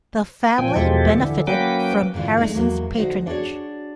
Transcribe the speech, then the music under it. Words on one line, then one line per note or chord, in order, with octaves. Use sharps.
The family benefited from Harrison's patronage.
A#2 F3 G5 G#5
E2 B2 F3 G#3 G4 A4
D3 E3
F#3 A#3 C#4 B4 G5 D6
G#2 D3 E3 F4
G#3 A3 B3 D#4
E2 F#3 A#3
D2 D#4 F#4 C5
D4 F#4 G#4 C#5